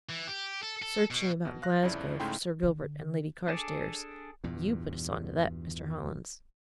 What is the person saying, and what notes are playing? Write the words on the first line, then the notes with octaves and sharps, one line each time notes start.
"Searching about Glasgow for Sir Gilbert and Lady Carstairs--you put us on to that, Mr. Hollins."
E3
G4
A4
A4
B2
B2
F5 F#6 A#6
G1 F2 C#3 E4 D5
G#2 C#3 A3 E4 G5 C6
D3
D4 G#4 A4 D5
E2 G2 A#2